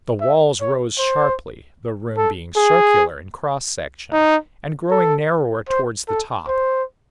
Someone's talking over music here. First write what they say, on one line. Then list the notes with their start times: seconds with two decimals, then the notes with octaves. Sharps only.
The walls rose sharply, the room being circular in cross section and growing narrower towards the top.
0.21 E5
0.61 C#5
0.99 C5
2.17 A4
2.56 G#4
4.12 D#4
4.91 A4
5.69 C5
6.08 A4
6.47 C5